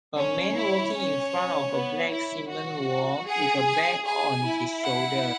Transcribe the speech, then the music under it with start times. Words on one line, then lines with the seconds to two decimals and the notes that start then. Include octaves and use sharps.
A man walking in front of a black cement wall with a bag on his shoulder.
0.17 C#4 C#5
0.56 E4
0.94 C#4
1.73 B3
2.11 E4
2.51 F#4
3.28 G#4 F#5
3.67 G#5
4.05 G#4 G#5
4.45 E4
4.84 F#5